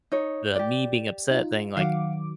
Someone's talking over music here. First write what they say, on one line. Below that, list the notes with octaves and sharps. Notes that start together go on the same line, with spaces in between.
the me-being-upset thing, like,
D#4 C#5
G4 D5
D#4 F4
D#3 F#3 F5 F#5 D6